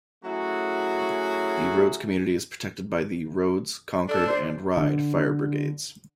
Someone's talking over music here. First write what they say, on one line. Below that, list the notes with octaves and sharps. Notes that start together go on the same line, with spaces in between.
The Rhodes community is protected by the Rhodes, Concord and Ryde Fire Brigades.
F#3 A3 C#4 E4 F#4 G#4
D4 A4
C5 D5
D3